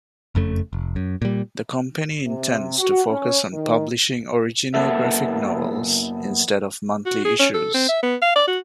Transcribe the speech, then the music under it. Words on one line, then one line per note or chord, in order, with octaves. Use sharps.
The company intends to focus on publishing original graphic novels instead of monthly issues.
F#1 F2 C#3 A3
F1
F#2
A#2 G3
C3
F#4
C#4
D#3
F#2 A#3 B3 A4 E5
F#4
G#4
C#4
A4
C4
E5
B3
F5
D5
F#4